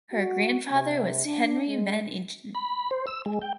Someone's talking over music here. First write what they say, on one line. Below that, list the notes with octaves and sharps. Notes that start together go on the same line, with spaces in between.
Her grandfather was Henry van Ingen.
F#4
C3
D4
G#3
B5
C5
E6
G#3
G5